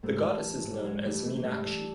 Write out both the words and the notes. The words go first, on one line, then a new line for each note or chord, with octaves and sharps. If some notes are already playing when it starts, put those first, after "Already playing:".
The Goddess is known as Meenakshi.
G#2 G3 A3
E3
E3
G#2
G3
G#2 F#3 G#3
E3 G3 A3
E3 A3
A#3
G#2 G3 A3
E3